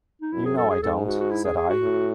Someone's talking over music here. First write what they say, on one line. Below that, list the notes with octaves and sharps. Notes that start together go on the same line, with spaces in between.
"You know I don't," said I.
D#4
F#2 E4
G#4
A4
G#4
G#2 A4
F#4
F#4
E4
G#4
G#4
F#4
A2